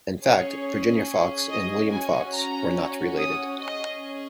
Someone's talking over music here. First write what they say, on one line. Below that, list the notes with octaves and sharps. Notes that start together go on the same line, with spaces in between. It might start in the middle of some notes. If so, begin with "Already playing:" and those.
In fact, Virginia Fox and William Fox were not related.
C#4 G#4 C#5
D#5
C#4 F#4 G#5
A#5
D#6
C#4 G#4 D#5